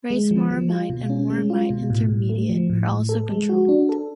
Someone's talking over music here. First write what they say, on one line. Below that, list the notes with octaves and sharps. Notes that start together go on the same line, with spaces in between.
Racemoramide and moramide intermediate are also controlled.
G#3
F3
F3
F4
B2
C#4
G#3
F4
B2
A2
A2
A3
F3
A2
A2
A4
G#3
F#4
D4
A4